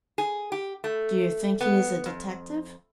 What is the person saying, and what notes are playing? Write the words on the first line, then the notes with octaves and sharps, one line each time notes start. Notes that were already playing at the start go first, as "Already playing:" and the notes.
"Do you think he is a detective?"
G#4
G4
A3
B3
F2